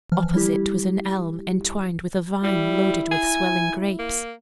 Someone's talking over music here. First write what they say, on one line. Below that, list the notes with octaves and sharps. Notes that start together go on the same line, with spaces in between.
Opposite was an elm entwined with a vine loaded with swelling grapes.
E3 F3 F6
G3 E4 G4
G3 E4
G#5
A#3